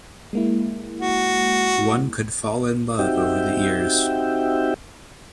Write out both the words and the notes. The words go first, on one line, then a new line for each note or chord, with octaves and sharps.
One could fall in love over the ears.
G#3 A#3 E4
F#4
C4 D#4 F#4 G4 E5 G5